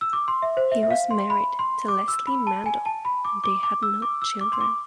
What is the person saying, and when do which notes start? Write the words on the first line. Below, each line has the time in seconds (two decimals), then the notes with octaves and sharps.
He was married to Leslie Mandel and they had no children.
0.01 E6
0.13 D6
0.28 C6
0.42 E5
0.57 C5
0.72 E5
0.83 E5
0.91 F5
1.11 C6
1.30 B5
1.59 C6
1.88 D6
2.08 E6
2.27 B5
2.47 A5
2.66 G#5
2.86 A5
3.05 B5
3.25 D6
3.44 D6
3.63 D6
3.83 E6
4.02 D6
4.22 E6
4.41 D6
4.53 C6
4.61 D6